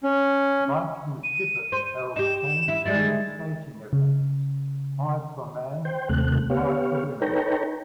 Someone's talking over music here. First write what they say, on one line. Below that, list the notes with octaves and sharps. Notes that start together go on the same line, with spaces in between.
Vikingskipet held ten speed skating events, five for men and five for women.
C#4
D#7
C5
D#4 G4 E7
E7
E4
G3 G#3 E4 A6
C#3
C5 G5
D#2 C3 A3 F#6
B3 G4 C#5 F5
D#4 A4 B4 C#5 G5 A#5